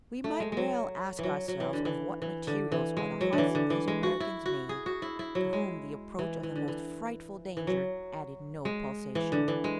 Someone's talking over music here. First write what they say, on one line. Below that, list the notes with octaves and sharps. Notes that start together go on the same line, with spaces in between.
We might well ask ourselves of what materials are the hearts of these Americans made, to whom the approach of the most frightful danger added no pulsation.
A3
G#3
F#3 G#3
E3 F#3
F#3
E3
D3
E3
E3
D3
E3
G#3
F#3
D3
E3
D3
E3
G#3
F#4
E4
F#4
G#4
F#4
E4
E4
F#3
G#3
E3
E3
D3
E3
E3
F#3
G#3
E3
D3
E3
G#3